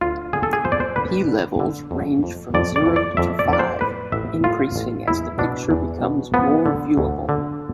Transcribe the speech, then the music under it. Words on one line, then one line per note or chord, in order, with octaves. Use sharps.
P levels range from zero to five, increasing as the picture becomes more viewable.
D2 F4
D3 G#4
A4
G#4
F3 C5
D5
C5
D3 B4
D3
D3
F2
F2
F2 D5
D5
F2
D5
F2 E5
D5
F2 D5
C5
A2 B4
A1 E5
A2 F4
A1
E2 E4
B2 D4
E2
B2
F3 B3
D3
D2
D3